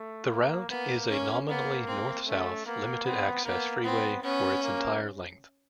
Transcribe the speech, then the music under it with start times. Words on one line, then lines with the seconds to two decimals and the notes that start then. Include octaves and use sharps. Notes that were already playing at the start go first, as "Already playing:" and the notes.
The route is a nominally north-south limited-access freeway for its entire length.
Already playing: A3
0.30 A#3
0.69 A#3 B3
1.09 C#4
1.49 A#3 B3
1.87 C4
2.26 A3 C#4
2.65 A#3 B3
3.05 B3 C4
3.44 A#3 B3
3.84 B3 C4
4.23 B3 C#4
4.62 A#3